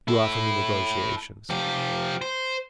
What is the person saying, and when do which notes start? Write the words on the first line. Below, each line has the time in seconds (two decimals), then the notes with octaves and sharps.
You offer me negotiations!
0.08 E4 A4
1.50 F3 G4
2.22 C5